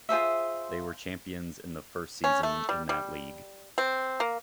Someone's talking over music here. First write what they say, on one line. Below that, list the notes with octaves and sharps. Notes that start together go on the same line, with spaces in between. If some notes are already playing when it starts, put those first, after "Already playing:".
They were champions in the first season in that league.
F4 G#4 C5 E5
C#4
A3
G3
G3
C4
A#3